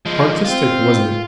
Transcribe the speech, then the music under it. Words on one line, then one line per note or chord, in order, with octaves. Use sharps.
Artistic, wasn't it?
F3 G#3
C4 F4